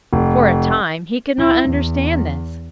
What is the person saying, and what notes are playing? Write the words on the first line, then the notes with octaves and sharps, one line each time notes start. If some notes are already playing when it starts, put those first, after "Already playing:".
For a time he could not understand this.
F1
E4
E2